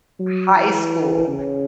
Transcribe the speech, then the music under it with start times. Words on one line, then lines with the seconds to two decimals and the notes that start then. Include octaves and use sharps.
high school,
0.20 F#3
0.55 E3
1.28 C#3